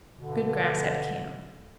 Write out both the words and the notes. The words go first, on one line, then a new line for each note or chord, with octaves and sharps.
Good grass at camp.
G2 B2 D3